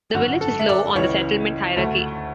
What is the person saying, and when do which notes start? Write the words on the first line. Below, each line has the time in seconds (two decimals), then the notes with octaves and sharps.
The village is low on the settlement hierarchy.
0.14 G#1 F#2 D3 F#4
0.41 A4
0.59 E5
0.69 D5
0.95 C#2 C#3 E3 C#5
1.76 D2 D3 A3